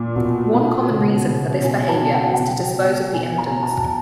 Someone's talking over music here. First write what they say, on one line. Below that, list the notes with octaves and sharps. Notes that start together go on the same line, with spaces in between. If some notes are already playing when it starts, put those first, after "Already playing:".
One common reason for this behavior is to dispose of the evidence.
Already playing: A#2
B2
B2
C#3
C#3
B2 G#5
A5
B2
G5
F#5
G5
B2
B2
B2 G#5
A#5
B2
A5